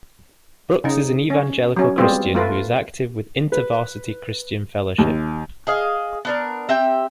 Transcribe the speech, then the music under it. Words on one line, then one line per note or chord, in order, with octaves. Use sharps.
Brooks is an evangelical Christian who is active with InterVarsity Christian Fellowship.
C#3 D#4
C#4
F#3 C#4
G3 G#3 B3 C4 F4
A3 F4 B4
B4
D#2
G#4 D#5 F5
B3 D4 A#4
C4 G4 E5 G5